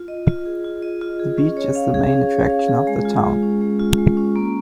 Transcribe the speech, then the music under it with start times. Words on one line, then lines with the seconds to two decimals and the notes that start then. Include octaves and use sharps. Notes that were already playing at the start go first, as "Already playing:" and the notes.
The beach is the main attraction of the town.
Already playing: F4
0.08 D#5
0.27 F4
0.46 G#4
0.64 F4
0.82 D#5
1.01 F4
1.19 G#4
1.38 C#4
1.57 C#5
1.75 F5
1.94 G#4
2.12 C#4
2.31 C#5
2.50 F5
2.68 G#4
2.87 G#3
3.05 F4
3.24 G#3
3.43 C#4
3.62 G#3
3.79 F4
3.98 G#3
4.17 C#4
4.36 A#3